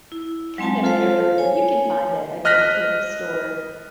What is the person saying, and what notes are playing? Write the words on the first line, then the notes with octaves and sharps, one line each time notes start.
kind of everywhe you can find a a good thrift store
E4
F#3 G#3 C4 G#5 A5
F4 A4 C5 F5 A5
C#5 G#5
D#5 F6 F#6 A#6 B6